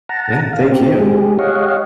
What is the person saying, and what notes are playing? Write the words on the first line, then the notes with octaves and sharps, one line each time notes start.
Yeah, thank you.
F#5 A5 A#5
F5
C4 G4
G#3 G4 G#4
G4 C#5 D#5 F5 F#5